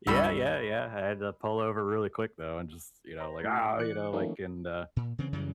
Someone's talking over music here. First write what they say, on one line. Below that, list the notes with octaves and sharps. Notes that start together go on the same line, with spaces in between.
Yeah, yeah, yeah, I had to pull over really quick though, and just, you know, like, "Ah!" you know, like, and, uh
C#2 G2 G3 B5 C#6 E6
C5 A#5
A2
E3 D5 F#6 C#7
D#3 F3 A3 A#3 C#4 D#4
A#2
C#3 E3 C4
F#2 C#3 E3 G3